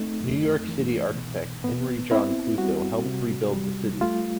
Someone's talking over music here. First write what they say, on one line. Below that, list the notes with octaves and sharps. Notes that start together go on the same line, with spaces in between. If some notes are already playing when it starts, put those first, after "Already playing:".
New York City architect Henry John Klutho helped rebuild the city.
Already playing: A3 C4 D#4
F#2
E3
B2
B3
C4 E4
G3 F#4
C3
G3
A3 F4